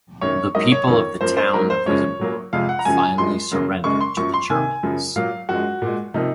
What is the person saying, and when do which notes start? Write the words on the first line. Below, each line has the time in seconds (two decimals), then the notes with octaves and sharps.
The people of the town of Wissembourg finally surrendered to the Germans.
0.21 F#2 D#3 A#3 C#5
0.55 G#2 F#3 A#3 D#5
0.72 C#5
0.87 F2 D#3 A#3 C#5
1.21 F#2 F3 A#3 C5
1.37 C5
1.54 G#2 F#3 A#3 A#4
1.70 C5
1.86 F#2 C#3 F3 G#3 C#5
2.19 A#2 F#3 A#3
2.53 F2 C3 F3 G#3 F5
2.69 F#5
2.79 A#5
2.85 F#2 C#3 F3 G#5
3.18 F#2 F3 G#3 C6
3.51 F#2 C#3 F#3 A#3
3.84 F#2 C#3 G#3 C#6
4.01 C6
4.17 F#2 F3 A#3 C#6
4.34 C6
4.50 C3 D#3 A#3 G#5
4.83 F#2 C#3 F3
5.16 A#2 F#3 A#3 F5
5.49 F#2 F3 G#3 F#4
5.82 A#2 G#3
6.14 C3 F3 A#3 D#4